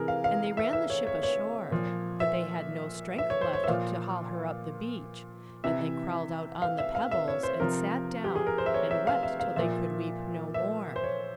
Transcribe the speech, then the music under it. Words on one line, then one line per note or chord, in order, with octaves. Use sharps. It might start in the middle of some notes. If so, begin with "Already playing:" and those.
And they ran the ship ashore; but they had no strength left to haul her up the beach; and they crawled out on the pebbles, and sat down, and wept till they could weep no more.
Already playing: C3 E3 G#4 A#4
F5
F5
E5
E5
C#5
C#5
C#5
A#2 F3
E5
E5
C#5
C5
C#5
E5
A#2 F3 F5
C3 E3 E5
F5
E5
F5
E5
C#5
C5
C3 F3 A#4
G4
G#4
A#4
C5
E5
C#5
E5
F5
E5
F5
A#2 F3 E5
E5
C5
C#5